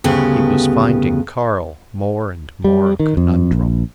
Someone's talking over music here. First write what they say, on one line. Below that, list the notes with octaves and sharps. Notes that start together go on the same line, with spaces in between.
He was finding Carl more and more a conundrum.
D2 G2 C#3 B3 G4
G3
D#3
F2
A#1